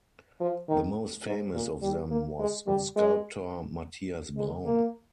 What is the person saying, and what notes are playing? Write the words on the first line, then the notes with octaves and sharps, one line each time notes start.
The most famous of them was sculptor Matthias Braun.
F3
D#3
G#2
A#2
G3
A#3
G#3
G3
G#3
G#3
A#3